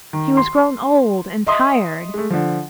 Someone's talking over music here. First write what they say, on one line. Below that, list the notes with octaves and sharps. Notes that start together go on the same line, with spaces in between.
He was grown old and tired.
D#3
C6
D#5 E5 C6 D#6
G#3 A3
D3 F3